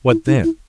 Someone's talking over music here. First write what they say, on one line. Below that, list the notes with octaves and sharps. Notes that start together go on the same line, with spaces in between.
What then?
E4
D#4
E4